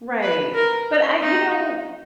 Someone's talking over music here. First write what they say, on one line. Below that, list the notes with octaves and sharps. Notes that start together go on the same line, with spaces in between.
Right. But I you know,
B4
A#4
D#4